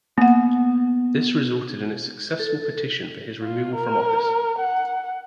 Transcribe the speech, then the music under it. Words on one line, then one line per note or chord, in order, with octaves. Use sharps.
This resulted in a successful petition for his removal from office.
A#3 B3 F#5
A4
F4
A#4
F#5